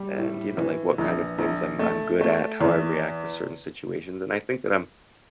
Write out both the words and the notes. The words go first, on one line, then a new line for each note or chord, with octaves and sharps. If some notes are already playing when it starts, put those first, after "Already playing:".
and, you know, like, what kinda things I'm I'm good at, how I react to certain situations, and I think that I'm
Already playing: G3
A2
E3
A#1
A#1
A3
A3
E2